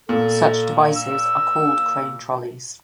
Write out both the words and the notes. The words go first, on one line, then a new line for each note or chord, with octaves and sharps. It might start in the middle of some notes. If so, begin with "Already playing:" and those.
Such devices are called crane trolleys.
A#2 A4
E6